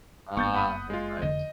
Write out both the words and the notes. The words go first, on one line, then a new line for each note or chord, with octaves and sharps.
Ah, that's nice.
F#1 A#3 B3 C#6 G6 A6
F#5 B5 D#6
G#3 F4
F1 D3 D#5